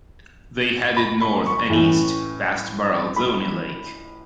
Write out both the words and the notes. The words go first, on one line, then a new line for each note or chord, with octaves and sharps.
They headed north and east past Baralzone Lake.
B5
B5
C#6
A2 E3 A3 C#4
B5